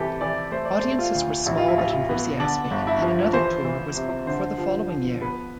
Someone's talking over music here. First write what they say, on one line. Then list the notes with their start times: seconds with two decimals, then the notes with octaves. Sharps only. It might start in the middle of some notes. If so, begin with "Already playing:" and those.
Audiences were small but enthusiastic, and another tour was booked for the following year.
Already playing: C3 E3 G4 A4
0.21 E3 D5
0.52 A3 C5
0.65 D5
0.79 C5
0.83 A3
0.99 F4
1.15 D2
1.46 A1 E4
1.58 F4
1.68 E4
1.77 A1 F4
1.90 E4
2.09 B3
2.40 D3 D4
2.71 G1
2.87 E4
3.02 F3
3.33 E3 C5
3.65 E3
3.96 C3
4.27 D3 C5
4.58 F3
4.89 F3
5.22 B3 B4